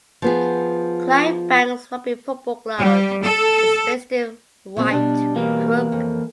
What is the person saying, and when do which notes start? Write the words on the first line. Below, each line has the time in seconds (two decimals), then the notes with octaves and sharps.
Clydebank's Rugby Football Club is based in Whitecrook.
0.22 F3 B3 G#4
2.78 G3
3.22 A4
4.77 A#2 F#3 C4
4.91 B2 G3 D4
5.36 E3 A#3
5.92 F2